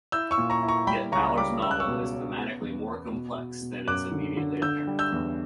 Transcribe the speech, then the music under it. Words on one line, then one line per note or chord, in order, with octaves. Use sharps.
Yet Ballard's novel is thematically more complex than is immediately apparent.
E4 E6 G6
C#6 E6
A#2
A#5 C#6
E4
A#5 C#6
G3 G5 B5
C#2 A#5 C#6
G3 B5 D6
C#2 E6
F#6
C#6 E6
B2
C#4
B3
E2
B3
B2
B2
B2
F#2 D6 F#6
D3
D3
D3 E6 G6
G3
E6 G6
E2